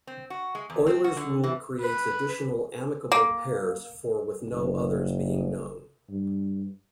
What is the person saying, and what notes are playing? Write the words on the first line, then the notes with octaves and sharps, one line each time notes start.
Euler's rule creates additional amicable pairs for with no others being known.
C4
F#4
G#3
E2
C4
F#4
D3
E3
B4
A#3
F#1
G2